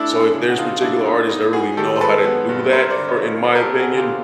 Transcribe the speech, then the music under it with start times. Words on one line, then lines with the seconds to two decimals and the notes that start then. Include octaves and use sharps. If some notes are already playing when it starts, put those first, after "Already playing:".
So if there's particular artists that really know how to do that for in my opinion,
Already playing: A3 D4 E4
0.11 E2
0.34 C#3
0.50 F#4
0.58 F3 D#4 F4
0.81 A3 D4 E4
1.05 E2 D#4
1.29 B3 D#4
1.53 G2 F#4 G#4
1.77 D#3 G4 A4
1.96 C5
2.01 G#3 A4 B4
2.25 B3
2.49 G2
2.72 C4 A#4 C5
2.90 C5 D5
2.96 D3
3.08 C#5 D#5
3.21 F3
3.43 A3 C5 D5
3.55 A#4
3.62 G4 A4
3.68 C4
3.80 F#4 G#4
3.92 D3
3.97 F4 G4